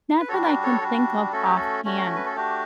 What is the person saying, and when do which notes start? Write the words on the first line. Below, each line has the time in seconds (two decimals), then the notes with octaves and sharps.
Not that I can think of offhand,
0.21 B4
0.28 G3 D4 F#4 A4 C#5
0.46 B4 D5
0.63 A4 C#5
0.80 G3 D4 F#4
1.33 A3 C#4 F#4 A4
1.44 G4
1.56 F#4 A4
1.85 A3 C#4 F#4
2.16 B4
2.26 A4
2.36 A3 D4 F#4 G4